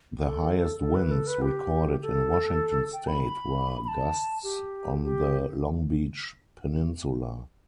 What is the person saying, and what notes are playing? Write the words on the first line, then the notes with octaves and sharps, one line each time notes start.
The highest winds recorded in Washington state were gusts on the Long Beach Peninsula.
A4
A4
B4
A4
B4
G4
A4
G5
B5
B5
B5
A5
G4
G4